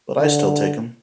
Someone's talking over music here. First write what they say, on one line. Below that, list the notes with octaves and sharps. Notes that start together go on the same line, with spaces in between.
But I still take 'em.
D3